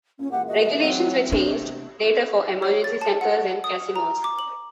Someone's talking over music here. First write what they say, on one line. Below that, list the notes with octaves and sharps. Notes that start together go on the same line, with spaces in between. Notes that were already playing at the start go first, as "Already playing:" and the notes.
Regulations were changed later for emergency centers and casinos.
A#2 C#4
A#2 E3 G#3 G4 F#5
A3 F#4 D#5 E5 C6
F#3 C4
C3 D4
B2
C#5
A6
A5
F#5
D#6
A#5
D6
F#7